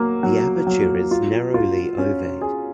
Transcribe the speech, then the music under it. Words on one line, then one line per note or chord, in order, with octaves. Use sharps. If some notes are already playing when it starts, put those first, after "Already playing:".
The aperture is narrowly ovate.
Already playing: F#3 A#3
F#3
F#3
F4
F4
C#4
G#4